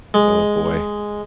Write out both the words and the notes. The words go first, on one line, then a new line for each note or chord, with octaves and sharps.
Oh, boy.
G#3